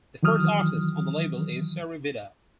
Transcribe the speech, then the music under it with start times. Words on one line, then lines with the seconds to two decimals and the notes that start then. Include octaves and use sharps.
The first artist on the label is Seri Vida.
0.23 D#3 E3 F#3 D#6 F6